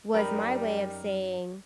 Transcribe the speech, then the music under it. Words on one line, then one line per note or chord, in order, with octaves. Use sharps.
was my way of saying,
F#2 G3 D#4 A#4 B5